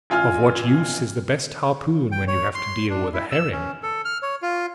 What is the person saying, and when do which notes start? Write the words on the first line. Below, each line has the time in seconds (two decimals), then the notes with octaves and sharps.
Of what use is the best harpoon when you have to deal with a herring?
0.10 A1 F4 G#5 F6
2.12 G5
2.28 C#5
2.55 C6
2.90 D4
3.13 E4
3.31 E6
3.52 C#4
3.83 A4
4.05 F6
4.22 C#5
4.42 F4